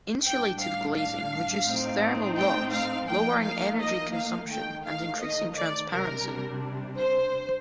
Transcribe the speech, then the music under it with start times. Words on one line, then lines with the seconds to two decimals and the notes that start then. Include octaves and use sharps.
Insulated glazing reduces thermal loss, lowering energy consumption and increasing transparency.
0.24 A2 G3 D4 G5
0.60 F5
0.95 F5
1.66 A2 A3 C4 D#4
2.38 G5
2.72 F5
3.08 F3 A#3 D#4 G5
3.44 F5
3.80 D#5
4.15 F5
4.50 D#3 A3 D#4 G5
4.85 F5
5.21 D#5
5.56 D5
5.92 C3 G3 D4 A#4
6.98 C5